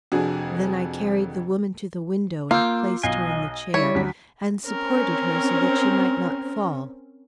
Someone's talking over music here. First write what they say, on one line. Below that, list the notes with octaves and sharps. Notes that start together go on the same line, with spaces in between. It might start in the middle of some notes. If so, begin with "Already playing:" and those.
Then I carried the woman to the window and placed her in the chair, and supported her so that she might not fall.
F1 F2 D4 F#4 G#4
A#3 F4 D6 E6 G6
B1 D#5 F5 G#5 C7
G3 E4 C#5
D2 F#3 B6
C4 C#4 A#4